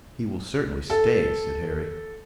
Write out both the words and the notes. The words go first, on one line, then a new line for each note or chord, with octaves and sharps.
"He will certainly stay," said Harry.
A4